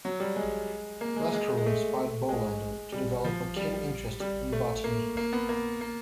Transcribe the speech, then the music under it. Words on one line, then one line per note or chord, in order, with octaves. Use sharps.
Lesquereux inspired Bolander to develop a keen interest in botany.
F#3
G3
G#3
A#3
G#3
G#3
A3
G#3
A3
G#3
G3
F3
G3
G3
A3
A#3
A#3
B3
A#3
A#3